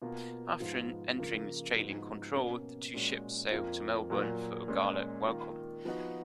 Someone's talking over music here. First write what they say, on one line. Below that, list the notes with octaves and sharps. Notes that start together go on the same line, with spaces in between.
After entering Australian control, the two ships sailed to Melbourne for a gala welcome.
B2 A#3 F4
G#2 F3 B3 F4
C#3 F3 A#3 F4
G#2 F3 B3 D#4 F#4
B2 A#3 C#4
A#2 G#3 C#4 F#4
F2 F3 A#3 F4
A#2 F#3 A#3 F4
A#2 G#3 C#4
D#3 A#3 F4
F3 B3 D#4 F#4